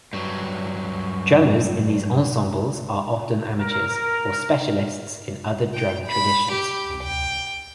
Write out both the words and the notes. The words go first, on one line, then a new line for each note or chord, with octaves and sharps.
Drummers in these ensembles are often amateurs, or specialists in other drum traditions.
G2 F#3
A#4
G5
B5
G4
G5